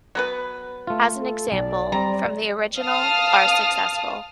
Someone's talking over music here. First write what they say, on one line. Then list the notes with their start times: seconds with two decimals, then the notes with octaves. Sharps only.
As an example, from the original ... are successful.
0.15 F#3 B3 B4
0.87 A3 F4
1.20 A4
1.52 B1 D5
1.92 G3 C4 A#5
2.78 F5 A5 D#6 F6